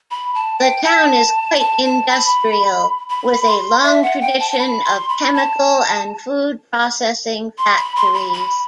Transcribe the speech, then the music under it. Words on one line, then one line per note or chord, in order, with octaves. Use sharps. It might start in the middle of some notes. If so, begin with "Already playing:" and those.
The town is quite industrial with a long tradition of chemical and food-processing factories.
B5
A5
G5
A5
A5
A5
B5
B5
C6
E5
F#5
G5
A5
A5
B5
C6
B5
A5
C6
B5
C6
B5
B5